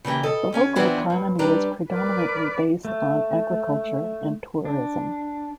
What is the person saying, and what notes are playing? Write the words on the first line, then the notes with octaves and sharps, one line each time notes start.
The local economy is predominantly based on agriculture and tourism.
C#3 E3 A#3 G4
A4 D#5
D2 C#4 G#5
E3 F3 B3 C4 D4
G2
G3 D4 B4 A#5
A#4 B4 D5
A3
D4